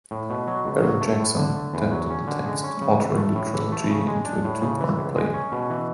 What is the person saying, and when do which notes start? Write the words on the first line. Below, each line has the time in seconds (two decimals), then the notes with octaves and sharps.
Barry Jackson adapted the text, altering the trilogy into a two-part play.
0.11 A2
0.30 B2
0.47 F#3
0.65 C#2
0.83 F#3
1.01 A3
1.20 A2
1.37 D3
1.55 A3
1.74 E2
1.92 F#3
2.10 C#4
2.27 D3
2.46 G#3
2.64 C#4
2.81 C#3
3.00 E3
3.17 A3
3.35 A2
3.54 E3
3.72 A3
3.89 C#3
4.08 G#3
4.26 D4
4.44 A2
4.61 C#3
4.80 E3
4.97 C#2
5.16 G#3
5.34 C#4
5.52 B2
5.70 E3